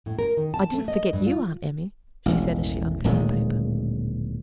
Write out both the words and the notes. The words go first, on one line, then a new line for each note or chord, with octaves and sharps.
"I didn't forget you, Aunt Emmy," she said, as she unpinned the paper.
A2
A#4
D#3
A5
A3
D#5
G2
F4
E1 A1
D1 A#2 D#3 G#3